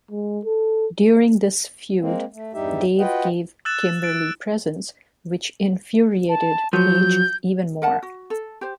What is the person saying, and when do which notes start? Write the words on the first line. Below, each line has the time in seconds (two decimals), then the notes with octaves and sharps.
During this feud, Dave gave Kimberly presents, which infuriated Page even more.
0.11 G#3
0.45 A4
2.00 G#3 A#3 C4
2.34 A3
2.54 E2 G2 G3 D#4 G4 E5
2.99 F4 F#4 B4 D#5 F#5 G5
3.65 E6 F#6 A6 E7
4.03 A6 D7
6.29 A5
6.73 F3 F#3 G6
7.82 A#4 F#5 A5
8.03 F#4
8.30 A4
8.61 G4 C5